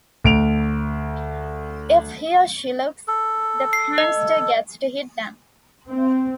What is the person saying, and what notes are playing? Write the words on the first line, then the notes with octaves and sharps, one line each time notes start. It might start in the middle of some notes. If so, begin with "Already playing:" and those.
If he or she looks, the prankster gets to hit them.
D2 D7 F7
A4
C7
D#5
C4